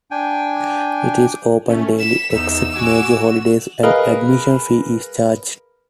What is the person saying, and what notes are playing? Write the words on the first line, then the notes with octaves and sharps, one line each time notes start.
It is open daily except major holidays; an admission fee is charged.
D4 G5 G#5
A3 C#4
B6 E7
E2 D#4 E6
F#4 G#5 D6
F#4
G#4 A#4 B4 D#5 F5